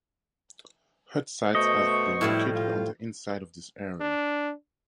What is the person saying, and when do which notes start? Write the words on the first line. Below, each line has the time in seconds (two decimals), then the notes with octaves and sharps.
Hut sites have been located on the inside of this area.
1.55 B2 A3 C5 D#5 C#6
2.21 A2 F3 G3 E4
2.55 F4
4.01 D4